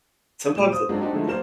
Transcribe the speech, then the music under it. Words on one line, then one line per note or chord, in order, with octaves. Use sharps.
sometimes it yeah.
A#2 G#3 E7
C5 D#6
G#2 F#3 G#3 C4 D4 F4
D4 D#4 F#4 G4 C5
D3 F3 G#3 A3 D#4 E4
F#3 G3 A#3 C5 F6 E7